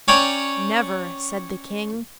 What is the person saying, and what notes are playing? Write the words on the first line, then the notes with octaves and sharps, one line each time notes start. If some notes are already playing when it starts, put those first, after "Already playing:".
"Never!" said the King.
C#4 C#5 D5 G5 A#5